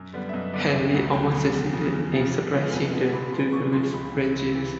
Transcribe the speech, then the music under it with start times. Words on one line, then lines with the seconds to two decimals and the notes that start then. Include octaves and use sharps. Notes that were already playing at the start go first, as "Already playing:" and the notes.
Henry almost succeeded in suppressing the "Titulus Regius".
Already playing: F#2
0.13 D3 G3 B3
0.29 E5
0.34 F#2 D#5
0.53 D3 G3 B3 D5
0.73 D2 E5
0.93 C#3 F#3 A3 F#5
1.13 D2 G5
1.33 C#3 F#3 A3
1.53 E2
1.73 C#3 F3
1.93 E2
2.13 C#3 F3
2.33 F2
2.53 D3 F3 G#3 B3
2.73 F2 G#5
2.93 D3 F3 G#3 B3
3.13 A#2 B5
3.32 F3 G#3 B3 C6
3.52 A#2 C#6
3.72 F3 G#3 B3 C6
3.93 C#2 B5
4.12 C3 E3
4.32 C#2
4.52 C3 E3